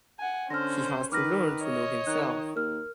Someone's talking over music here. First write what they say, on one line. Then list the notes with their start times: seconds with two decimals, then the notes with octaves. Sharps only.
He has to learn to know himself.
0.19 F#5 G#5
0.50 D3 C#4 C5 F6 A#6
1.12 D#3 B4 D6 F6 A#6
1.62 C#5 D#5
2.07 D#3 F#6
2.56 D#2 A#4 F6